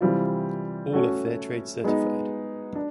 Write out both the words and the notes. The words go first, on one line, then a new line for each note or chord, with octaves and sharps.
All are Fairtrade Certified.
C3 E3 G3 C4 F4
A3 C#4 F#4 A4
G#3 B3 D#4
D4